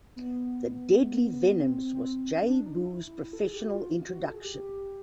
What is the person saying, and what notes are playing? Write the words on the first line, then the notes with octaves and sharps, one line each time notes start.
The Deadly Venoms was J-Boo's professional introduction.
B3
C4
C4
C#4
D4
D#4
E4
A4
G#4
G4
F#4
F4
F#4
A4
G#4
G4